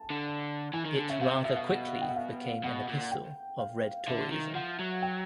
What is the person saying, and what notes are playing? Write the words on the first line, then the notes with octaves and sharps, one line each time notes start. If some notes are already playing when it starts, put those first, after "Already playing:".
It rather quickly became an epistle of Red Toryism.
Already playing: G#5 A5
D3
E3 G#5
D#3
D3
C#3 E5
C3 F5
E5
B2 E5
F5
F#5
G5
F#5
F5
B2 F#5
A#2
G5
F5
D3 E5
D#3
F3 F#5
F#3
G5